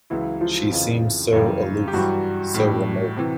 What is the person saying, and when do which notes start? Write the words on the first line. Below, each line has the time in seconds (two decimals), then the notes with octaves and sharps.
She seems so aloof, so remote.
0.10 C#2 C#3 E3 F#3 E4
0.41 F3 F4
0.71 F2 C#3 E3
1.32 F#2 C#3 E3 G3
1.88 G4
1.93 G2 E3 F#3 G3 F#4
2.54 A2 E3 G3
3.17 C3 E3